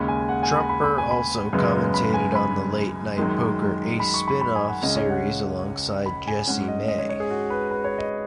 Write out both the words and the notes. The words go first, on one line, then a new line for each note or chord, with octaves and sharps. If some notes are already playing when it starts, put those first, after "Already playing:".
Trumper also commentated on the Late Night Poker Ace spin-off series alongside Jesse May.
Already playing: D#2 C#3 G#3 C#4 B5
G#5
F#5
G#5
B5
B5
B5
G#5
B5
F#2 C#3 G#3 B3
B5
G#5
B5
F#2 D#3 G#3
B5
C#6
B5
B5
G#5
F#5
C#2 C#3 G#3 C#4 D#5
C#5
F#5
B5
G#5
G#2 G#3 C#4 F#5
D#5
D#5
C#5
C#5
G#4
F#4
B4
B4
C#5
D#5